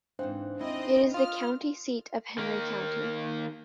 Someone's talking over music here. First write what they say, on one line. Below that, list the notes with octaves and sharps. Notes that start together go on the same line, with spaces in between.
It is the county seat of Henry County.
G#2 E3 C4 D4 C5 F5
D#2 C4 D#4 E4 D#5
F4 D#6 F6
D#3 A#3